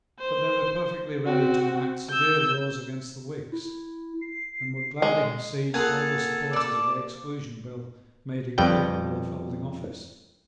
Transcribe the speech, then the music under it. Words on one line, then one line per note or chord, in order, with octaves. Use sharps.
But they were perfectly ready to enact severe laws against the Whigs, and would gladly have seen all the supporters of the Exclusion Bill made incapable of holding office.
C5
C4 F#4
E6 G6
E4
C7
G#3
A#3 F4 G#4 A4 F#5 G#5
D5 D6 E6
F2 G3 B4 G5